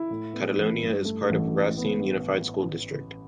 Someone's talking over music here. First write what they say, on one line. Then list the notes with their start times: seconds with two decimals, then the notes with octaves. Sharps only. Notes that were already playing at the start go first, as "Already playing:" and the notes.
Caledonia is part of Racine Unified School District.
Already playing: E4
0.10 A2
0.33 B3
0.57 A1
0.82 G2
1.05 A3
1.29 A1
1.53 A2
1.77 B3